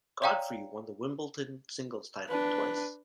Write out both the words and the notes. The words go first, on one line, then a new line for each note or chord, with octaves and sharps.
Godfree won the Wimbledon singles title twice.
C#5 D5 F5 G5 A#5
D4 B4